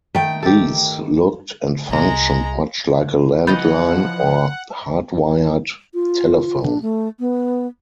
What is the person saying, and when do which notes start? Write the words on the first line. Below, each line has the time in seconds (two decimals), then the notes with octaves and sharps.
These looked and functioned much like a landline, or hardwired, telephone.
0.15 D#3 A3 G5
0.43 G4 A4
1.89 C2 G#3 A#5
3.47 C#3 E3 F3 D#5 F#5 B5 G6 A6
5.94 F4
6.63 D4
6.82 A3
7.20 B3